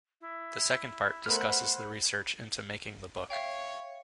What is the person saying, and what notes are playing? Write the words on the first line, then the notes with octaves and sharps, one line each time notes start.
The second part discusses the research into making the book.
E4
A3 B3 A#4 C5 F#5 B5 F6
C#5 E5 F5 G5